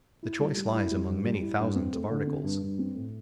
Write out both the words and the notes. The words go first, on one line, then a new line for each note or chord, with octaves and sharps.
The choice lies among many thousands of articles.
E4
G3
G3
E4
G3
G2
G3
E4
G2
C4
A3
D3
C4
G2
G2
C4
A2